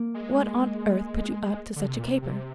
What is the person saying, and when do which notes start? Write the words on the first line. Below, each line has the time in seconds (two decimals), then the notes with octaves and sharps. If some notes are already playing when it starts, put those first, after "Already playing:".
What on earth put you up to such a caper?
Already playing: A#3
0.14 G#3
1.76 D3
1.86 C3
1.97 A#2
2.07 C3
2.22 C3